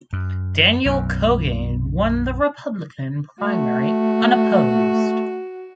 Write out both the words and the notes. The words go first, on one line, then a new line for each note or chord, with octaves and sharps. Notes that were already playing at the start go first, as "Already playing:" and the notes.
Daniel Kogan won the Republican primary unopposed.
F#2
B1 F#2
A3 F#4